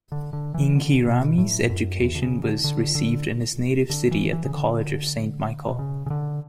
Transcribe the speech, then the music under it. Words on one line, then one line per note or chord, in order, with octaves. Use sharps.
Inghirami's education was received in his native city at the College of Saint Michael.
D3
D3
E3
D3
B2
A2
F#2
E2
D3
C#3
D3
D3
D3
D3
E3
E3
C#3
D3
B2
C#3
C#3
D3